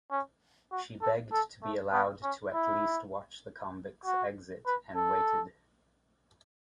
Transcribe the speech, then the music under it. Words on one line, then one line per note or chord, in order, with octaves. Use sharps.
She begged to be allowed to at least watch the convict’s exit, and waited.
C#4
F#4
A4
A4
A3
B3
C#4
E4
F#4
B4
A4